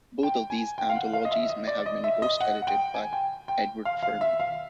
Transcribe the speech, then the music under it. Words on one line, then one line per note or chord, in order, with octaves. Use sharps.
Both of these anthologies may have been ghost-edited by Edward Ferman.
G5
G#5
G5
F5
F#5
F5
D#5
E5
D#5
D5
D#5
E5
D#5
F#5
F#5
G5
G#5
G5
G5
F5
F5
E5
F5